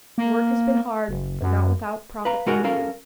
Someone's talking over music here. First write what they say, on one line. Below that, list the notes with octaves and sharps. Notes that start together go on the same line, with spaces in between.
The work has been hard, but not without profit for you.
A#3
F#1
F#2
B4 F5 A#5
G#3 F#4 A#4 C5 F#5
C#4 A4 A#4 F5